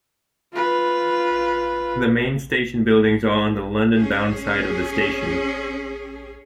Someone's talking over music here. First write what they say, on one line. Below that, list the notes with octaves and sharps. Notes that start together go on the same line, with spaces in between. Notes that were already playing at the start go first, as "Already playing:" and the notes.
The main station buildings are on the London-bound side of the station.
F4 B4
C#4 G#4